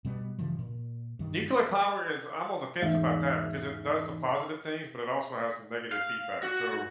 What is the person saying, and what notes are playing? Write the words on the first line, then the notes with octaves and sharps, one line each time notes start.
Nuclear power is I'm on the fence about that because it does some positive things, but it also has some negative feedback, so
B2 G3 B3
G2 C#3 E3 F3
A#2
G2 D#3
E2 G#2 D#4 E5
F5
F#4